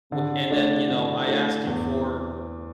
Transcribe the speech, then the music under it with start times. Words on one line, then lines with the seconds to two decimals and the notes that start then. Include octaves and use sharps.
w and then, you know, I asked him for
0.12 D3
0.51 A3 D4
0.89 D3
1.27 A3 D4
1.67 E2